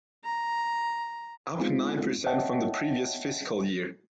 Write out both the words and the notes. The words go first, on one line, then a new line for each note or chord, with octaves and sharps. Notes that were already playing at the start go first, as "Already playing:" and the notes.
Up nine percent from the previous fiscal year.
A#5
G#3 B3 C4 D#4 F4
C#5 D#5 E5 F#5 G5 A5